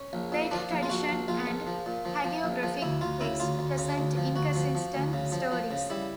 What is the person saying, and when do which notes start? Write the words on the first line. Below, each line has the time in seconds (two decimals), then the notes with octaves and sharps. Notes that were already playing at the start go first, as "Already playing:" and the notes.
Later tradition and hagiographic texts present inconsistent stories.
Already playing: C#4
0.13 A#1
0.32 A#2
0.51 F3 D4
0.71 A#1
0.83 F4
0.89 A#1 F#4
1.09 A#1
1.28 A#1 F4
1.47 A#1
1.67 F3
1.86 A#2
2.05 F3
2.24 F3
2.44 A#1
2.63 F3
2.82 D2 E4
3.01 D2 F4
3.21 C#3 E4
3.40 D2 F4
3.59 D2
3.78 C#3
3.98 D2
4.17 F3
4.36 D2 F#4
4.56 F3
4.75 F3
4.94 D2
5.13 C#3
5.32 F3
5.52 F3
5.71 C#3
5.90 G3 E4